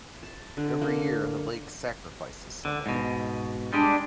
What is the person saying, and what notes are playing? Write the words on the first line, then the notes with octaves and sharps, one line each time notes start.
Every year the lake sacrifices someone.
A5
D3
A#3
D3
G#2 B2
G3 G#3 D4 G4